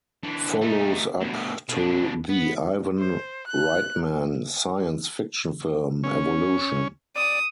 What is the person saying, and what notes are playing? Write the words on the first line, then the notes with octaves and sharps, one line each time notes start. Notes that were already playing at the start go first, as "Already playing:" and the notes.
Follows up to the Ivan Reitman science fiction film, "Evolution".
D3 E3
A3 D#4
D2 B2
B2 D4
B3
C5
F#6
C#4
D5 D#6 E7